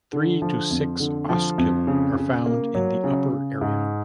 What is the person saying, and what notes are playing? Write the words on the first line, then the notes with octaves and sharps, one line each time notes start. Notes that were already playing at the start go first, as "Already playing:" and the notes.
Three to six oscula are found in the upper area.
D3
F3
F2
D3
F3
F2
C#3
C#3
A#3
F#3
C#3
C#3
G#2